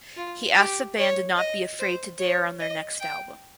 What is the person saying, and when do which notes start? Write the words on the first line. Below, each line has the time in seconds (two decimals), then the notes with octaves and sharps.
He asked the band not to be afraid to dare on their next album.
0.17 F4
0.58 G4
0.98 C#5
1.38 D#5
1.79 C5
2.19 C#5
2.60 D#5
3.00 G5